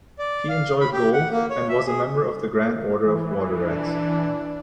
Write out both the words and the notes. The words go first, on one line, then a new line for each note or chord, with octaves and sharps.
He enjoyed golf, and was a member of the Grand Order of Water Rats.
D5
F5
B5
G4
F#5
A#3
C#5
E5
G#4
E3
D4